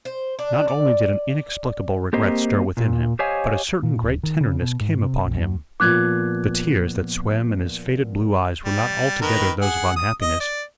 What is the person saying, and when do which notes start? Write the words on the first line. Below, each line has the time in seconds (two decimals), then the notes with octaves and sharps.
Not only did an inexplicable regret stir within him, but a certain great tenderness came upon him. The tears that swam in his faded blue eyes were not altogether those of unhappiness.
0.05 C5
0.39 D4
0.68 D5
2.13 A#3 C4 G4 A#4 C5 D#5
2.77 A#2
3.19 G4 C5 C#5 D#5 F5 G#5
3.83 A#2
4.03 D1
4.24 D#3
4.41 C#3
4.61 B2
4.80 G#2
5.02 C3
5.25 A#1
5.38 F#2
5.80 A#2 F3 B3 D6 F#6 G#6
8.64 G3
9.21 D#3 A#4 B4
9.61 G#4 F#5
9.96 D#6
10.22 D#5
10.40 D5